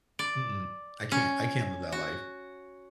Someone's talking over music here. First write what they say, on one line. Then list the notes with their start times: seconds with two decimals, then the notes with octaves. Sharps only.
Mm-mm, I can't I can't live that life.
0.19 D5
1.12 C#4
1.92 F#4